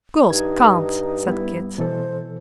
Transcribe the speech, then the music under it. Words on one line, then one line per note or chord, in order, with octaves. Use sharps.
"Girls can't," said Kit.
G2 D#4 G#6
G3 B3 E4
B2 E3 A4 C5